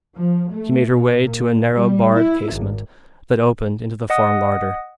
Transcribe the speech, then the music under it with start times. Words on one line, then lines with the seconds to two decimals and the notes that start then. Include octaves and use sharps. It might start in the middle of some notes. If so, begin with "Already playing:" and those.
She made her way to a narrow barred casement that opened into the farm larder.
0.16 F3
0.52 A3
0.89 B2
1.22 A#2
1.73 G3
2.14 E4
2.52 G#1
4.10 D#5 F#5 D#6